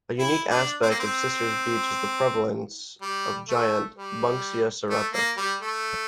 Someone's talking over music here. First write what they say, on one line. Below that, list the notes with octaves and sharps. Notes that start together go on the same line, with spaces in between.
A unique aspect of Sisters Beach is the prevalence of giant Banksia serrata.
E4
D4
C4
A#3
C4
G3
A3
G3
A3
A#3
G3
A3